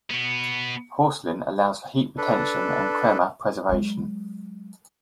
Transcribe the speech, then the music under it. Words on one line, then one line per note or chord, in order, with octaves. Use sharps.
Porcelain allows for heat retention and crema preservation.
B2 B3
D4 A4 B4
F#3 G#3